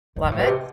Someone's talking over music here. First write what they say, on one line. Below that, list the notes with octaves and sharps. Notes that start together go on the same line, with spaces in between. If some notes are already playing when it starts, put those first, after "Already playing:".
Love it.
F2
G#2
A2
B2
C3